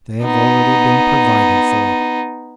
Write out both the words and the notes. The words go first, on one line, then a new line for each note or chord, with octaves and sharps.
They have already been provided for.
B3 D#4